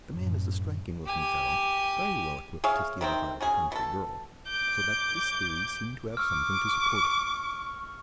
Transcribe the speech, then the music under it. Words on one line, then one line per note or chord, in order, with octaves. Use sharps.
The man is a striking-looking fellow, very well equipped to steal the heart of a country girl, so that this theory seemed to have something to support it.
F#2 A2
G4 G#5
G#4 C#5 E5 F5
C3 D#3 C4
C#4 F#4 G#4
B2 A4
D6 G6
C#6 D6 E6 F6